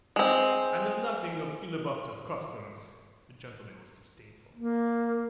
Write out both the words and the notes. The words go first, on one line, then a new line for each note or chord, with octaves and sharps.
"I know nothing of filibuster customs." The gentleman was disdainful.
G#3 C4
A#3